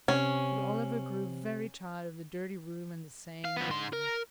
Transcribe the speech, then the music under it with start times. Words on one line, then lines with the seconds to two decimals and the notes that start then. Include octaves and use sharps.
But Oliver grew very tired of the dirty room and the same game.
0.08 C3 C#4
3.45 F5
3.57 F3 B3
3.70 G#2 C6
3.93 A#4